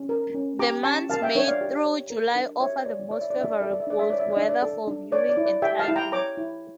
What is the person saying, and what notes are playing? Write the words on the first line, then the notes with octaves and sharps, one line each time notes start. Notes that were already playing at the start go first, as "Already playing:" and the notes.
The months May through July offer the most favorable weather for viewing and climbing.
Already playing: C#4
A#4
C#4
G4 A#5 D6
C#4 A5 C#6
A#4 F5 A5
E5 G5
D4 C#5 E5
D5 F5
G4
C#5
A#4
D4
G4 C#5 E5
C#5 D5
C#5 D5
E5
D5
D4 E5
D5
A4 E5
D5
E5
D4 D5
E5
C#5 D5
E5
D5
D4 E5
D5
A4
D4
C#5 D5
D5
E4
D5
G4 E5 G5
F5 A5
E4
G5 A#5
C#5 A#5 D6
E4